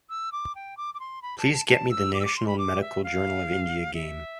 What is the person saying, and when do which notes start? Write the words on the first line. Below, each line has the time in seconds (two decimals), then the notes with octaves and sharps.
Please get me The National Medical Journal of India game.
0.09 E6
0.32 D6
0.55 G5
0.77 D6
0.94 D6
1.00 C6
1.22 B5
1.38 A5
1.53 A5
1.67 A5
1.91 E6
2.14 D6
2.20 E6
2.25 D6
2.36 C6
2.47 B5
2.58 D6
2.81 E5
3.04 F5
3.94 E5